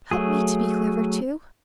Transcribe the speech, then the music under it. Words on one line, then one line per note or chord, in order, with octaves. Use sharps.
Help me to be clever too.'
F#3 A3 G#4